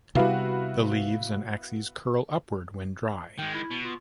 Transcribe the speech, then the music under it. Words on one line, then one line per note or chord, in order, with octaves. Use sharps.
The leaves and axes curl upward when dry.
C3 G3 B3 E4 F#4 B4 F5
D#3 G#3 G5
E4
B2
F4